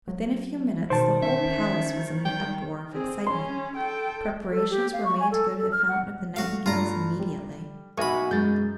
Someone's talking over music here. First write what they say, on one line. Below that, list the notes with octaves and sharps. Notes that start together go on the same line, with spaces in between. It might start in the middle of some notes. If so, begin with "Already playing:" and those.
Within a few minutes the whole palace was in an uproar of excitement. Preparations were made to go to the fountain of the nightingales immediately.
F#3
B2 D#3 C5 A5
C#4 E5
G3 G5
C4 G#4
C#4 C6
A4 G5
A4
G4
F5
C#6
G#5
A4
A4
F6
F#5
A3 F#4 F5
G2 F4 A#5
G3
B1 A#3 F#4 E5 F#5 G#5 B5 C#6
F#2 G#3 G6 A6